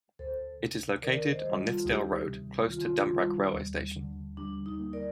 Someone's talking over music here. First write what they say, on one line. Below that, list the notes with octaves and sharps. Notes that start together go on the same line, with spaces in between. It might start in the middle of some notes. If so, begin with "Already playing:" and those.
It is located on Nithsdale Road, close to Dumbreck railway station.
D2 A4 C5
C3
D#3 A#4 D5
C5 D#5
G3
F4 A4
D2 D#4 G4
C3
D#3 F4
G3
D#2
D3
G3 D4
D#4
A#3
A#4 D5